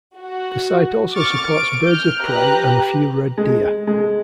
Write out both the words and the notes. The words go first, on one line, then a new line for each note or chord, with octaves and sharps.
The site also supports birds of prey and a few red deer.
F#4
C#6 D6 F6 A6
D7
F6 G6
G4 B4 A#5 F#6
G#3
G#3